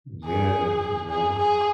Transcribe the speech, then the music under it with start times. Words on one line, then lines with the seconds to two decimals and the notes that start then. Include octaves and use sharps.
Yeah, you know,
0.24 G#4
1.10 G#4
1.38 G#4